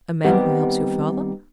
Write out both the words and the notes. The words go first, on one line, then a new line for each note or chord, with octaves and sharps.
"A man who helps your father?"
D#3 G3 B3 C4 G4 F#5